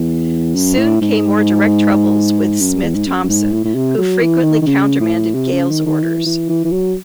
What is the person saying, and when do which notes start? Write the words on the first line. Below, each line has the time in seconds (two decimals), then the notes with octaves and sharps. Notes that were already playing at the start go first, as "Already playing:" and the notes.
Soon came more direct troubles with Smith Thompson, who frequently countermanded Gale's orders.
Already playing: E2
0.55 F#2
0.77 A2
1.02 G#2
2.60 F#2
2.84 E2
2.95 G#2
3.07 F#2
3.24 F#2
3.29 G#2
3.52 A2
3.65 A2
3.75 C3
3.98 F#3
4.21 E3
4.43 D#3
4.62 D#3
4.66 C#3
5.01 A2
5.35 C3
5.52 C#3
5.70 D#3
5.86 D#3
6.03 E3
6.26 E3
6.49 E3
6.65 E3
6.71 F#3